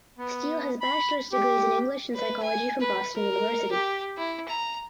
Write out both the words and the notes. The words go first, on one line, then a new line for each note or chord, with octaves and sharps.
Steele has bachelor’s degrees in English and psychology from Boston University.
B3
B5
G4
B4
G#5
B4
A#4
G4
E4
A#5